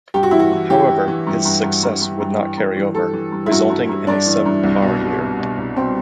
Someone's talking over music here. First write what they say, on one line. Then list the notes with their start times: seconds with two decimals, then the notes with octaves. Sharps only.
However, his success would not carry over, resulting in a sub par year.
0.14 G2 G4
0.23 F#4
0.31 E3 E4
0.39 F#4
0.51 E3
0.70 E3 G4
0.89 E3
1.08 E3
1.27 G2
1.45 G2
1.64 G2
1.83 G2
2.01 G2
2.20 G2
2.39 E3
2.58 G2
2.76 E3
2.95 G2 A4
3.13 E3
3.32 G2
3.46 E4
3.51 G2 F#4
3.70 G2
3.89 G2
4.07 G2 D4
4.26 E3
4.46 G2
4.63 C2
4.82 B2
5.01 B2
5.20 B2
5.39 B2
5.57 C2
5.76 B2 C4